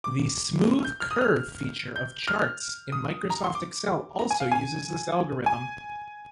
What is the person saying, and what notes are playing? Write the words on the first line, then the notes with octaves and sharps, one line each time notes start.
The "smooth curve" feature of charts in Microsoft Excel also uses this algorithm.
D6
G6
F6
D#6
F6
G6
F6
D#6
A#5
C6
D6
A#5
G#5
F5
G#5
G#5